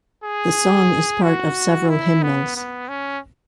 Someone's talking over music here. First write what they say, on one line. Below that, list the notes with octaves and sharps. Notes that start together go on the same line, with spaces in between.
The song is part of several hymnals.
G#4
F#4
E4
B3
B3
C#4